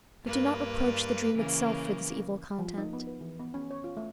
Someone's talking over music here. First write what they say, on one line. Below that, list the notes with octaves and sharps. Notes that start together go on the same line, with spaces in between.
But do not reproach the dream itself for this evil content.
G2 A#3 B4
C#3 E3 A#3
F3
D#4
B3
B4
E3
B3
C#4
C#5
F4
A3